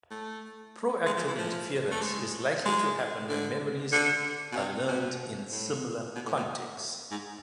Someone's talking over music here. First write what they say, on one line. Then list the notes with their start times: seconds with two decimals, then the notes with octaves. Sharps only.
Proactive interference is likely to happen when memories are learned in similar contexts.
0.11 A3
1.06 G#3
1.17 F3
1.27 E3
1.38 F3
1.91 A3
2.01 G#3
2.65 G#3
3.29 D3
3.92 D3
4.52 B2
4.56 C3
4.88 B2
5.52 A2
6.15 B2
6.26 A2
6.37 B2
7.11 G#2